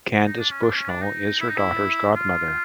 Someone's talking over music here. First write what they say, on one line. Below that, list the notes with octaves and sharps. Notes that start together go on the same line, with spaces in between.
Candace Bushnell is her daughter's godmother.
D#4
D4
C#4
D4
C#4
D4
D#4
E4
D#4
E4
F4